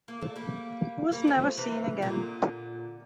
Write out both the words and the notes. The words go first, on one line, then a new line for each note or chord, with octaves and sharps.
He was never seen again.
A#3
A3
G3 A#3
G3 A#3
F3 A3
C3 E3
A#2 D3